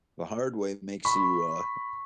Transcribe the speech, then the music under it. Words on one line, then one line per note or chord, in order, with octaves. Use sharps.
the hard way makes you, uh,
B5 C#6